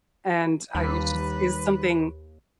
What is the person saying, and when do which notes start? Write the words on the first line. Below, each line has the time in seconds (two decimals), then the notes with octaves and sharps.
and, uh, it’s just is something
0.75 D#2 D#3 G3 B4